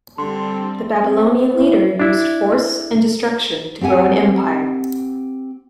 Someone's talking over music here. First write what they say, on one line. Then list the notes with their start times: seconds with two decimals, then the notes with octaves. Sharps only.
The Babylonian leader used force and destruction to grow an empire.
0.18 D3 G3 C4 A5 C6
1.02 C4
1.54 E4
2.00 D4 E4
3.81 C4 G4 F#5 G#5